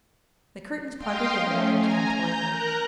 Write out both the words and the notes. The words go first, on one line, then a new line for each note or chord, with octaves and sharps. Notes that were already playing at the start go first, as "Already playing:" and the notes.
The curtains parted and a woman came toward them.
D#5 F5 G5 C6
A3 C#4
G#5 A#5
A#5 G6
A#4 A#5 F#6